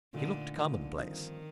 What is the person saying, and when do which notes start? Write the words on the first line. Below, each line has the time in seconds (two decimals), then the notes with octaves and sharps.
He looked commonplace.
0.14 A#2 D3 A3 D#4
0.55 A#2 D3 A3 D#4
0.97 G2 D#3 F3 C4 D#4